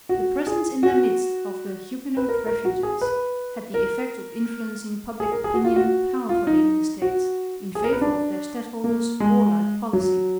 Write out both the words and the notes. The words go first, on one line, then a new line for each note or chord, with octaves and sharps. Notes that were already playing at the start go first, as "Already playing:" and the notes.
The presence in their midst of the Huguenot refugees had the effect of influencing public opinion powerfully in the States in favour of their stadholder's warlike policy.
F#4
G#4
F#4
B4
A#4
A#4
F#4
G#4
B4
A#4
G#4
A#4
G#4
F#4
F4
F#4
F4
D#4
F#4
G#4
A#4
B4
D4
A#3
G#3
F#3